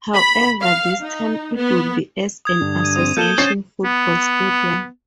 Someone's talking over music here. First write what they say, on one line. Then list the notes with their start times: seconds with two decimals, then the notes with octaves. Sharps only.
However, this time it would be as an association football stadium.
0.15 B5
0.62 F5
1.02 D#4
1.56 B3
2.45 D#6 G#6
2.61 G2 D3
2.80 D#6 D#7
2.96 C4 D#6 D#7
3.17 A#3 A4 G6 E7 G7
3.38 C#4 C5 A6 C7
3.84 B3